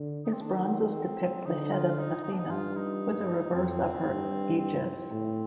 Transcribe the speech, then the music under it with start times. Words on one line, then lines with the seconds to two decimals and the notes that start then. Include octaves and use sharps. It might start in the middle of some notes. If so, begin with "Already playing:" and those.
His bronzes depict the head of Athena with a reverse of her aegis.
Already playing: D3
0.25 D#4
0.33 C4
0.41 D#3 D4
0.68 C4
1.46 D3 D#4
1.72 F4
1.98 D#4
2.24 D#4
2.33 D4
2.40 D#4
2.49 G2 F4
2.76 D#4
3.54 F2 C4
4.06 G2
4.58 C4
5.11 A2